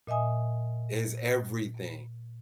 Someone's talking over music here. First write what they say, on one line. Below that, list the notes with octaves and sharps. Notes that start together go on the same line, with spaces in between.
It's everything.
A#2 D#5 E5 G#5 D#6